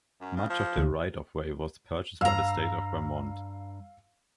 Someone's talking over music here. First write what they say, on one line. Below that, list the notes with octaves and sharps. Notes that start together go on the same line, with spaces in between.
Much of the right-of-way was purchased by the State of Vermont.
F#2
C#3
F3
D2
G2 F5 A#5 E6